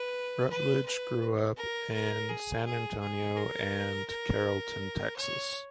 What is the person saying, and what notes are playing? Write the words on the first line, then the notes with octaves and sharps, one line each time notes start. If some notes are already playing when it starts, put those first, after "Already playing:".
Rutledge grew up in San Antonio and Carrollton, Texas.
Already playing: B4
B4
B4
A#4
A#4
G#4
G#4
G#4
A#4
A#4
C#5